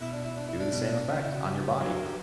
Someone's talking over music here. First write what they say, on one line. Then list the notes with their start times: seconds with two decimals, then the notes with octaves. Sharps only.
do the same effect on your body.
0.01 B2 E4
0.13 D4
0.25 E4
0.37 D4
0.48 E4
0.60 D4
0.72 B2
1.09 C#3
1.23 E4
1.34 F#4
1.45 G4
1.80 D3 F#3 B4
1.96 A#4
2.06 G4